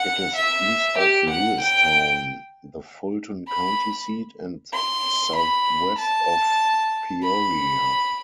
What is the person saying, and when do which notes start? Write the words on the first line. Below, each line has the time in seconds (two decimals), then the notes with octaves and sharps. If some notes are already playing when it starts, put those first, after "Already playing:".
It is east of Lewistown, the Fulton County seat, and southwest of Peoria.
Already playing: F#5
0.36 E5
0.98 G4
1.30 F#5
1.60 G5
3.48 B5
4.74 C6
5.36 B5
5.98 A5
7.23 B5